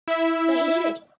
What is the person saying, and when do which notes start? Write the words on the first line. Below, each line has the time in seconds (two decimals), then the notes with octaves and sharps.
But he did it!
0.08 E4 E5